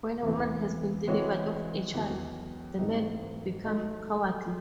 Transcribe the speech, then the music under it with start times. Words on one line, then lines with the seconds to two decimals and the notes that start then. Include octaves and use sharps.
When a woman has been delivered of a child, the men become cowardly.
0.23 E2 C3 E3
1.07 E3 G#3 C4 F#4 C#5
1.94 E2 D#3 F#3
2.79 G#2 E3 C4 D#4 A4
3.64 F#3 A3 D#4 A4 D#5